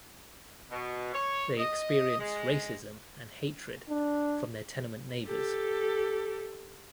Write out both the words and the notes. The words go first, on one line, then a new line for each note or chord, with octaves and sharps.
They experience racism and hatred from their tenement neighbors.
B2
C#5
D#5
G#3
D4
G4 A4